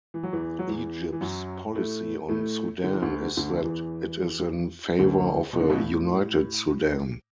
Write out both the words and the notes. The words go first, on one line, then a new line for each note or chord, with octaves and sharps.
Egypt's policy on Sudan is that it is in favor of a united Sudan.
E3
F#3
E2 E3
F#3
E2 E3
E3
F#2 F#3
A2 A3
A2 A3
D3
E3
D2 D3
D2 D3
E2 E3
D2 D3
B2
D3
B1 B2
A2